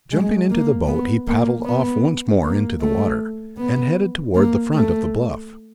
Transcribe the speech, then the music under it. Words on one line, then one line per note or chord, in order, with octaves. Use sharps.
Jumping into the boat he paddled off once more into the water, and headed toward the front of the bluff.
G#3
A#3
B3
A#3
B3
A#3
A3
B3
A#3
A3